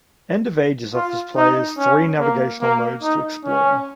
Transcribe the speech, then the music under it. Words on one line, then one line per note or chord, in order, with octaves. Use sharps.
"End of Ages" offers players three navigation modes to explore.
F4
D#4
C#4
A#3
A#3
D#4
C#4